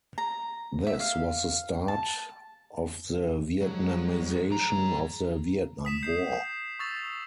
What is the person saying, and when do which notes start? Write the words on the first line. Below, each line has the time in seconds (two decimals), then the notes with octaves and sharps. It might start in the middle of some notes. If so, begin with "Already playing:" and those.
This was the start of the "Vietnamization" of the Vietnam War.
0.18 A#5
0.87 E5
1.00 F5
1.88 A5
3.61 F3 F#3 G#3
4.50 G#2 A#5
5.85 D#6 B6 E7
6.03 G6 C7
6.79 C#6 D#6 E6 A6 F7